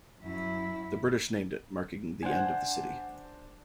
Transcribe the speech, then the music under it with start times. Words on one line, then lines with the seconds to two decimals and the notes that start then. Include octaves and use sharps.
The British named it marking the end of the city.
0.23 F#2 E4
2.23 D4 C5 F#5 G#5